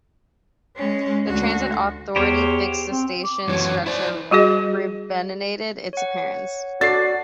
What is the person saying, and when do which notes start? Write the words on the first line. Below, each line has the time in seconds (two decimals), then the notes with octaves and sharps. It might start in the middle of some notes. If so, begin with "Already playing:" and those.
The Transit Authority fixed the station's structure and renovated its appearance.
0.76 G#3 C#4
1.27 D2 F#4
2.16 E2 G4 C5 C#5
2.91 C4
3.24 D6
3.48 F#2 E3 F#3 C#5
3.86 E4 C5 D5
4.31 G3 F#4 G#4 D#5
5.93 C#5 F#5
6.81 D4 F#4 A4 D5 A6 C7